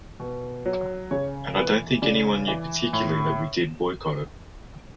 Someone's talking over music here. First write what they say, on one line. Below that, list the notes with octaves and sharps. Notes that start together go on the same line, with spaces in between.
And I don't think anyone knew particularly that we did boycott it.
B2
F#3
C#3 C#5
E3 B4
C#3 D5
E3
A2